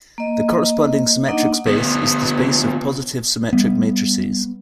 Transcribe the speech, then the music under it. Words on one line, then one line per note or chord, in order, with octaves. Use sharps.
The corresponding symmetric space is the space of positive symmetric matrices.
A#3 D#5
A#3 D4 D#4 D#5 F#5
D2 B3
G3 B3